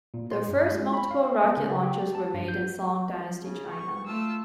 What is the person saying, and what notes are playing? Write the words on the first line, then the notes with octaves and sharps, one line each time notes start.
The first multiple rocket launchers were made in Song dynasty China.
A#2
C6
G2
G#3
B5
F5
G3
C#3
G4
A5
G2
G6
C#3
C#6
A3 F4 A5 E6